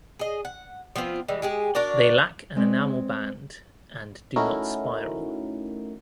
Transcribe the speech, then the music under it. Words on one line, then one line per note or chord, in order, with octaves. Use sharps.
They lack an enamel band and do not spiral.
G#4 D#5
F#5
F3 B3 C4 F4
E3 G3 G#3
G#3 G4 G#4
D4 F#4 A#4 D5
G#3 C4 B4 D5
A3 C#4 D#4 E4 F#4 A#4